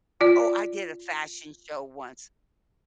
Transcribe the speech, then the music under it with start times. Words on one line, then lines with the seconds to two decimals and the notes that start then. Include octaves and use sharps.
Oh, I did a fashion show once!
0.21 F4 D5